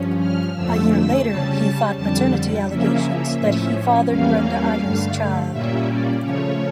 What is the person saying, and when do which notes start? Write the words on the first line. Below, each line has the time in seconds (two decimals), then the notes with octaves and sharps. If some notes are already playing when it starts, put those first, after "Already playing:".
A year later, he fought paternity allegations that he fathered Brenda Ayres' child.
Already playing: G2 F3 C#4
0.19 F6
0.55 F2 D3 F3 A3 E6
0.91 E6
1.26 C#3 G3 C#4 A5
1.97 F2 D3 G3 A5
2.68 C#3 F3 A#3 C#4 E5
3.39 A2 F3 C#4
4.09 E2 E3 G3 A#3 C#4 F5
4.80 G2 D3 A3
5.52 A#2 G3 A#3 C#4 E5
5.88 D5
6.22 C#3 F3 A3 C#4 C#5